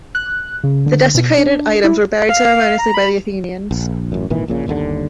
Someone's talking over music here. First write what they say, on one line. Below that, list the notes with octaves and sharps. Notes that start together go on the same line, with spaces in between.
The desecrated items were buried ceremoniously by the Athenians.
F#6
C#3
D3
B2
D4
E4
F5
A#5
B5
A#1
A1 F#2
G#1 A#2 D#3 E3
A#1 A#2 C#3
G1 D#2 A#2 D3